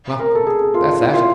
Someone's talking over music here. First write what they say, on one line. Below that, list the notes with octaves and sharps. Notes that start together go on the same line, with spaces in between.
Well, that's that.
A#4
A4
G#4
F4
E4
F4